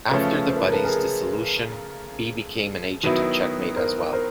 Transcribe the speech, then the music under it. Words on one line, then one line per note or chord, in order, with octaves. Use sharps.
After the Buddies' dissolution, Bea became an agent of Checkmate as well.
C#3 F3 A3 B4 C#5
C5
B4
A#4
A4 B4
G#4 A#4
D#3 F#3 B3 E4
A#4 C5
A#4 C5